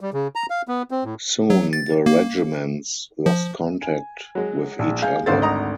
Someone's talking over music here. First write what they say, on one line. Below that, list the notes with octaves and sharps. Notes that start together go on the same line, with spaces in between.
Soon the regiments lost contact with each other.
G3
C#3
A#5
F5
B3
C4
A2
F#3
A6
A#3
F3
G#5
F#3 G#3
A#1
G#3 F5 G#5 G6
G#1 D2 A4 C5 F5 A6
D#5 A#5 D#6